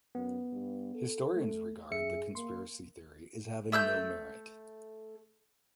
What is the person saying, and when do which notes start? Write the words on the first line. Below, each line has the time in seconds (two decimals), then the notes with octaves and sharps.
Historians regard the conspiracy theory as having no merit.
0.15 F#2 B3
0.53 G2
0.95 A4
1.36 A3
1.91 F#2 G#4 E5 C#7
2.35 A#3 C6
3.72 A3 E6 F#6 G6